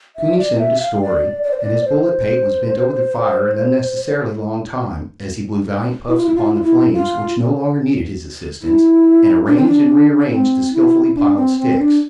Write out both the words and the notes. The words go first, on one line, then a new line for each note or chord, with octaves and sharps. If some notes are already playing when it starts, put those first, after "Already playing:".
Coonie scented a story, and his bullet pate was bent over the fire an unnecessarily long time, as he blew valiant puffs upon the flames which no longer needed his assistance, and arranged and rearranged his skilfully piled sticks.
E5
D5
E5
F5
D5
D5
C5
D5
C5
E4
F4
E4
F4
E4
F4
E4
F4
E4
D4
C4
D4
C4
E4
D4
C4
C4
D4